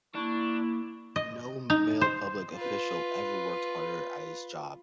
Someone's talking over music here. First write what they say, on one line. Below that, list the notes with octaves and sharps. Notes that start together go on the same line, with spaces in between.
No male public official ever worked harder at his job.
A#3 D4 E4 C#6
D#5
D#4
C5
F4 B4